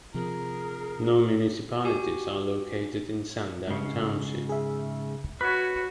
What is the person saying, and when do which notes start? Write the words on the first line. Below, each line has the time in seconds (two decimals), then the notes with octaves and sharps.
No municipalities are located in Sundown Township.
0.14 C3 F3 G#4 A#4
1.84 F#4 G4 G#5
3.67 G#2 C#3
4.49 G#4 E5
5.41 F#4 B4 C#5 B5